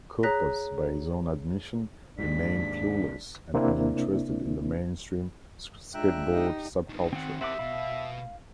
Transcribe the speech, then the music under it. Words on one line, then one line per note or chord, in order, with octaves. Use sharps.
Kaupas by his own admission remained clueless and uninterested in the mainstream skateboard subculture.
G#4 C#5 A#5 F#6 A#6 B6
D#2 G#2 D4 B6
C3 A#3 C4 D4 E4
G#3 D4 F4 E5 G5 A#5 F#6
D#4 G4
G2 D#3
D#3 C4 F#4 F#5
C4 G4 A#4 E5 F#5 D6
B2 F5 B5